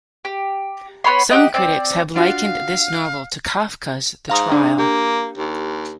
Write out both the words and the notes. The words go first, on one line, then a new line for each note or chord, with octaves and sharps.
Some critics have likened this novel to Kafka's "The Trial".
G4
B3 C#5 B5 C6
D#4 G4 F#5
C4 D5
D4 F4 F#4 F5
G#2 F5 A#5 D#6
D4
A#3 G4
D#2